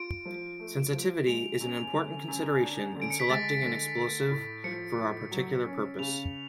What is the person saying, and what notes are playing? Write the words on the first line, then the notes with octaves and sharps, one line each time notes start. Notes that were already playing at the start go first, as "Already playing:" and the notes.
Sensitivity is an important consideration in selecting an explosive for a particular purpose.
Already playing: F4 D7
F3
A3
F3
G#3 F7
F#2
D3
F#2
D4
D3
D7
C#7
B6
G#3 A6
D3
A3
A2
F3 C#7
A2
F#3
C#4
C#3 F7